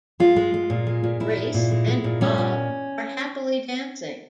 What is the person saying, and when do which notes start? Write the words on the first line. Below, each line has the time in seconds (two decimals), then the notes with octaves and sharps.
Grace and Bob are happily dancing.
0.20 G#3 F4
0.36 G#3
0.54 G#3
0.70 A#2
0.87 G#3
1.04 A#2
1.20 A#2 E4
1.37 G#3
1.54 A#2
1.71 G#3
1.88 G#3
2.04 A#2
2.21 G3 C#4
2.38 A#2